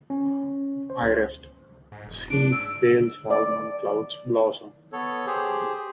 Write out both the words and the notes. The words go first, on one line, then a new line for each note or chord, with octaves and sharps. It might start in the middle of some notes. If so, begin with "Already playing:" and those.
I rest: see pale salmon clouds blossom.
C#4
C5
C#2
G#2
E1
D4 D7
G#2 E6
D5
B3 A4 C#5
G4 G#4 C5